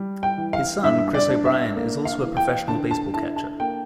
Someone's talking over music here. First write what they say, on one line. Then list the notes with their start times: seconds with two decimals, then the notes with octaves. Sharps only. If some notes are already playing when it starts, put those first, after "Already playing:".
His son, Chris O'Brien, is also a professional baseball catcher.
Already playing: G3
0.23 G5
0.37 E3
0.53 F5
0.83 G2 E5
1.14 D5
1.29 D4
1.45 E5
1.76 A#3
2.05 F5
2.22 E3
2.37 G5
2.68 D3 A5
2.91 A5
3.14 E4 A5
3.36 A5
3.60 A#3 G5